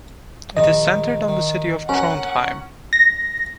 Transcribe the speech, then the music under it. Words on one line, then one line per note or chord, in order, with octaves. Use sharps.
It is centered on the city of Trondheim.
A#1 D#3 D#5 G#5
D#3
C#4 A#4 F#5
A#6